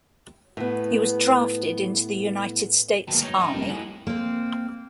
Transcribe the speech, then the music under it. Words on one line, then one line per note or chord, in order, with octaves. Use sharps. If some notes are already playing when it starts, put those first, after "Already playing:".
He was drafted into the United States Army.
A2 B3
G2 B2 D3 F3 G#3 A#3
B2 D#4 C#5
G2 F3
F1 F2 G3 A#3
A2 E4 G#4 D#5 F#5
A#3 C4